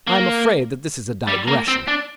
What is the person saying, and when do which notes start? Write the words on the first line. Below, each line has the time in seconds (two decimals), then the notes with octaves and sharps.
I am afraid that this is a digression.
0.07 A#3
1.28 G3
1.47 A#3
1.68 C4
1.87 D4